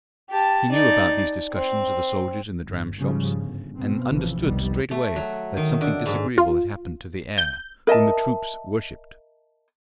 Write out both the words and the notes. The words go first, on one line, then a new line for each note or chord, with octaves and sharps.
He knew about these discussions of the soldiers in the dramshops, and understood straightway that something disagreeable had happened to the heir, whom the troops worshipped.
G4 A5
D#4 D5
C4
G1
G#2 C#3 F3 G3
G1
B2 B3 C4
A1 C#3 E3 F3
F1 C2 D#3 G3 B3
A3
F#3
D#3
D3
G#2
F4
G6
A#4 D#5 E5 A5